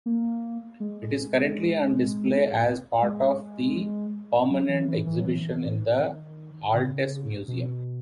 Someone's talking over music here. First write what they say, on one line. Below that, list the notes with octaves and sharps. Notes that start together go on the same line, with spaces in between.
It is currently on display as part of the permanent exhibition in the Altes Museum.
A#3
G#3
G#3
F#3
E3
E3
E3
F#3
E3
D#3
C#3
B2